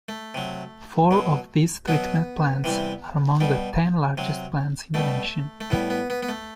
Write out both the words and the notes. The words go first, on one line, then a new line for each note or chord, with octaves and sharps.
Four of these treatment plants are among the ten largest plants in the nation.
A3
C3 F#3
B2 F#3
B2 F#3 B3
C3 E3 G3
B2 G3
C3 F#3
B2 G3 A3
A3
A2 G3 B3
B3
B3
B3
A3